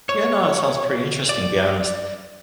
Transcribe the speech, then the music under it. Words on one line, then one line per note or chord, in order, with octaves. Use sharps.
Yeah, no, that sounds pretty interesting be honest.
C#5
D5